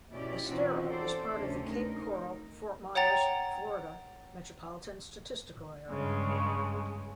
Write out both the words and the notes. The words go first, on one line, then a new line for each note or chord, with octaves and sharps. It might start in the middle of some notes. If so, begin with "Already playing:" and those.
Estero is part of the Cape Coral-Fort Myers, Florida Metropolitan Statistical Area.
B2 C#4 E4 G4 D5
E3 C4 C#4 D#4 F4 F#4
A4 C5 D5
D2 C3 C#4
D#4 A#4
C#5 F#5 G5 A#5 A6
G2 C#3 G#3